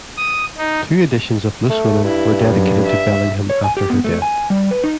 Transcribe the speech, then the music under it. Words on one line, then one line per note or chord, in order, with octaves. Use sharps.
Two editions of "Loose Women" were dedicated to Bellingham after her death.
D#6
D#4
A3
G2 E4
F#2
E5
C#5
G#5
G4
B3
A3
G#5
G3
B4
D#4